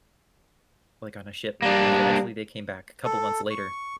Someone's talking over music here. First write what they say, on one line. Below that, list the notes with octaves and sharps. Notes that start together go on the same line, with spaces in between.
like, on a ship, and then eventually they came back a couple months later,
G3 A#3 D4
A4
C#6